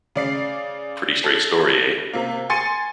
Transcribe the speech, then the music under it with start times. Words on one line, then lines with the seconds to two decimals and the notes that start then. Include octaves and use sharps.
Pretty straight story, eh?
0.16 C#3 D5 C7
1.24 A4
2.13 C3 A#3
2.50 G#5 C6 A6 C#7 D#7